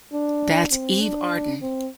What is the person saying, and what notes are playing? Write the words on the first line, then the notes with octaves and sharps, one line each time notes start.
That's Eve Arden.
D4
C4
D4
C4